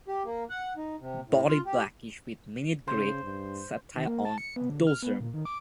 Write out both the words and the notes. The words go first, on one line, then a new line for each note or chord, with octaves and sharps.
Body blackish with minute grey setae on dorsum.
G4
A#3
F#5
D#4
C3
A2
F4
G4
C#3 C5
G2
D#3
A#3
A5
C#7
B3
D3
F6
B3
A#2
D#3
D6